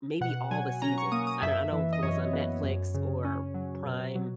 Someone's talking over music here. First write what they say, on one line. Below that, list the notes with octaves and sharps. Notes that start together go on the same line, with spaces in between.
maybe all the seasons, I don't I don't know if it was on Netflix or Prime.
B2 F#5
F#3 G#5
C#4 A#5
C#6
A#3 D#6
D#6
F#2 E5
E3
D#5
F#2 C#5
B3
F#2
C#3
C#4
F#3
B2
F#3